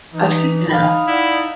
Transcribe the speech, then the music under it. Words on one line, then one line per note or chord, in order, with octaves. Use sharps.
that's good to know.
E3 D#4
D#4 F5 B5
E4 D5 F#5